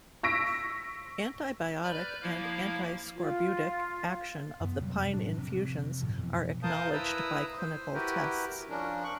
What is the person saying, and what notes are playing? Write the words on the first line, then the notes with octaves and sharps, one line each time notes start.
Anti-biotic and anti-scorbutic action of the pine infusions are acknowledged by clinical tests.
C#6 E6 A#6 B6 D7
B4 D5 B5 F6 G6
F3 A#3 E4 F5
F4
F#2 B3
F2 C3 F#3 G3
F1 A2 F#3 D4
F1 F2 C3
G1 D2 A2 F3
F2 B2 D#3 E3
A#4 C5 F5 A5 D#6 G6
E4 B4 A#5 D#6 E6
C5
E4 F#4 G4 A#4 B4
F3 C#4 D4 A#4
C#6 F#6